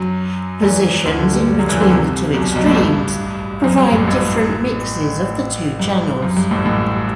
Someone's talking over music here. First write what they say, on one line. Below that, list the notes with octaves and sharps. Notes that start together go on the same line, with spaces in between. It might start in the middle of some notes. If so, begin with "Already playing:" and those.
Positions in between the two extremes provide different mixes of the two channels.
Already playing: F#2 F#3
E2 E3
D2 D3
D2 D3
G2 G3
G2 G3
F#2 F#3
E2 E3
D2 D3
C2 C3
B1 B2
B1 B2
A1 A2
G2
F#2
G2
A1 A2
A1 A2
G2
F#2
G2
A1 A2
A1 A2